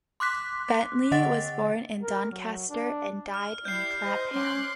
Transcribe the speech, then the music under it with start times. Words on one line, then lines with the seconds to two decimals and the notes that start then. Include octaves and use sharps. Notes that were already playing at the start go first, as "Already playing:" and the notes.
Bentley was born in Doncaster, and died in Clapham.
0.20 C6 D6 F#6 B6
1.12 D3 D#5 F#5 A6
2.03 A#4
2.31 F#3
2.70 D4
3.34 F6
3.65 E4 G4 D5 G6 C7
4.04 C5 D#5
4.33 C#4 C6 D6 F#6